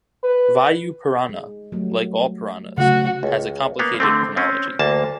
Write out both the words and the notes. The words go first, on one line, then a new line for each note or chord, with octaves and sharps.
Vayu Purana, like all Puranas, has a complicated chronology.
B4
G#3
F#3 G3 A3
C#3 F#3 A3 C#4 F#4
C#2
A#3 B3 F5
D3 A3 C4
C4 C#4
D2 A#3 A5